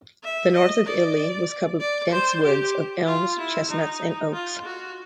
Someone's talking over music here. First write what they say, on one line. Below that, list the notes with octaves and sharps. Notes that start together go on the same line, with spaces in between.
The north of Italy was covered with dense woods of elms, chestnuts, and oaks.
E5
D#5
D5
D5
C5
G4
F4
E4
D#4
F4
F#4